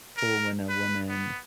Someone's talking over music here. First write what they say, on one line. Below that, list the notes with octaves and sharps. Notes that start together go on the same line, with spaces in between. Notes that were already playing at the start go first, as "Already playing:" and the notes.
cool when a woman
A#4
B4
B3